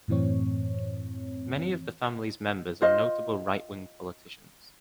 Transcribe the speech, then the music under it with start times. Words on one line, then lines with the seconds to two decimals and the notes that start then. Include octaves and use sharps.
Many of the family's members are notable right-wing politicians.
0.08 F#2 A2 E3 C4 C#5
2.82 F4 C5 D#5